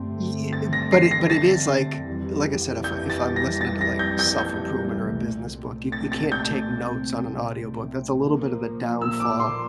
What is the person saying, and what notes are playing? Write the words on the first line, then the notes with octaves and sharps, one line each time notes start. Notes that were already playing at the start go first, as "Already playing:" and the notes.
Ye i but it but it is, like, like I said, if I if I'm listening to, like, self-improvement or a business book, you you can't take notes on an audiobook. That's a little bit of a downfall.
Already playing: G2 D3 A3 C4
A6
A#6
C7
A#6
A6
F2 E3 G3
G6
A6
A#6
A6
A#6
G6
G6
G6
C2 A#2 A3 C4
A6
A6
G6
A#2 F3 A#3
E6
D6
C6